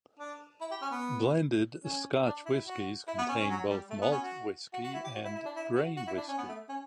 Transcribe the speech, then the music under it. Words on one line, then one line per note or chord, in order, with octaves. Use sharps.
Blended Scotch whiskies contain both malt whisky and grain whisky.
D4
E4
G4
C#4
B3
C#4
D4
E4
F#4
E4
B3
C#4
C#4
F#3
G3
A3
B3
C#4
F#4
F#4
F#4
E4
G4
F#4
E4
E4
D4
E4
F#4
F#4
E4
D4
C#4
B3
A3
C#4